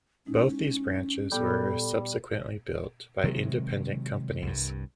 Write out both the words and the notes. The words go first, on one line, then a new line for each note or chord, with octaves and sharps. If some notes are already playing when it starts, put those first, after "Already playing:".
Both these branches were subsequently built by independent companies.
G#3 C#4 D#4 E4
A#2 G3 B3 A4 G6
C3 D#3 F#3 G#3
C2 G2